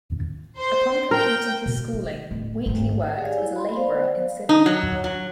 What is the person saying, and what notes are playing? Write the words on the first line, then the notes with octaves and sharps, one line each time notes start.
Upon completing his schooling, Wheatley worked as a labourer in Sydney.
C5
A#4 G5
B2
D#4
D1
G#1 A3
G4 G#4 C#5 D5 F5 G#5
E4
B5 C6
B3 C5 D5 F5
D#4
F#3
F#3